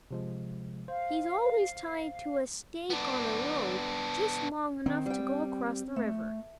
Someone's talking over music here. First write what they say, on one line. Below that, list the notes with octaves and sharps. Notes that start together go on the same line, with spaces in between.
He's always tied to a stake on a rope just long enough to go across the river.
C3 F3 G#3
C5 F5
B3 D4
D#3 C4
G3 G5
A3